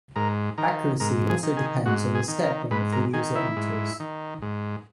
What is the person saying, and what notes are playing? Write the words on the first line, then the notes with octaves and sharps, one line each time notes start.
Accuracy also depends on the step-length the user enters.
G#2 A#4
D#3 A#4
G#2 A#4
G#4
D#3
G#4
G#2 F#4
G#4
D#3
A#4
G#2 B4
A#4
D#3 G#4
E4
G#2
D#3
G#2